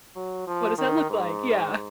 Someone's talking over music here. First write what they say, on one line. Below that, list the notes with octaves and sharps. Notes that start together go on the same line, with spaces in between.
What does that look like? Yeah.
F#3
F3
D#3
G#2